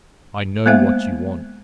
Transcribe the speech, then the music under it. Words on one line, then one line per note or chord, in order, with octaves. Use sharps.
"I know what you want."
G#3 A#3 B3 C5 E5 F5